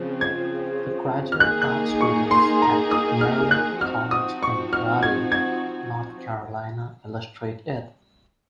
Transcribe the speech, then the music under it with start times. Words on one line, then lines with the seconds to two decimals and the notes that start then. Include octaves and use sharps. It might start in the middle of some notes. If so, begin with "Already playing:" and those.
The graduate art students at Meredith College in Raleigh, North Carolina illustrate it.
Already playing: C#3 F3 C4
0.21 G#6
1.32 F6
1.40 D#3 A#3 D#4 G#4 F#6
1.62 F#6
2.01 C#6
2.31 C6
2.62 A#5
2.91 D#6
3.21 F6
3.51 F#6
3.81 F3 C4 D#4 F#4 F6
4.11 D#6
4.43 C#6
4.73 F6
5.03 G#6
5.32 G#6